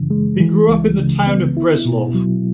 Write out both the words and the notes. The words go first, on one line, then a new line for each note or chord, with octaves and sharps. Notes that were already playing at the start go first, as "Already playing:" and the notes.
He grew up in the town of Breslov.
Already playing: F#2 C#3 E3
G#3
E3
C#2
C#3
B3
E4
B2
F#3